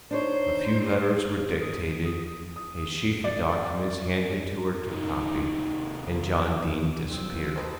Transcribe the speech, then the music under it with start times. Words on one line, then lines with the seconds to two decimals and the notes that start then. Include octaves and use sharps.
A few letters were dictated, a sheaf of documents handed to her to copy, and John Dene disappeared.
0.11 D4 D#4 C5 C#5
1.61 D#6
2.56 D#6
3.24 D5
4.90 C3 D#3 A#3 D#4
7.11 F#2 G3 C4
7.30 D#3 A#3
7.56 C4 D#4 G4 B4 C5 D#5 A5